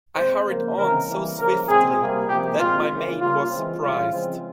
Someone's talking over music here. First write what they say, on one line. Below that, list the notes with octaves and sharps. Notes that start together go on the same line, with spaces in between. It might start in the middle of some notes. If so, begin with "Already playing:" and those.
I hurried on so swiftly that my maid was surprised.
A#2 G#3 C4 C5
C#3 F3 A#3
C#3 E3 G#3 C4 A#4
E3 G3 A#3
C#3 F3 A#3 A#4
A#2 G#3 C4 G#4
C3 G3 A#3
C3 F3 A#3 G4
A#2 G#3 C4 F4
C#3 E3 A#3
C#3 G3 A#3 F4
E3 G#3 C4
C#3 E3 G3 F4
C#3 F3 G#3 C4